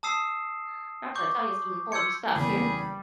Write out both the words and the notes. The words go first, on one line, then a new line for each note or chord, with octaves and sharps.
I got to tell you some important stuff here.
A5 D#6 E6 C7 E7
C#6 D6 G6
C6 E6 G6 G#6 C#7
F#1 E2 G3 G#4 B5